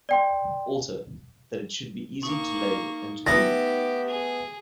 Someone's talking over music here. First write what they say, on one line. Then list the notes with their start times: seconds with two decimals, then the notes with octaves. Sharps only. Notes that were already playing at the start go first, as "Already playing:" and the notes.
Also that it should be easy to lay and to move.
0.09 D5 G5 C6
2.23 A#3 D#4 C#6
3.27 A3 B3 G4 A#6
4.08 G#4